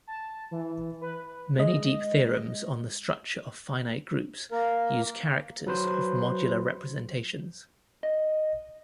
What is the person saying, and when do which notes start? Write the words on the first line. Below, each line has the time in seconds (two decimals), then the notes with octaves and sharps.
Many deep theorems on the structure of finite groups use characters of modular representations.
0.07 A5
0.51 E3
1.02 B4
1.58 G#3 D#5
4.52 A#3 A#4
5.67 F#3 B4 C5
8.03 D#5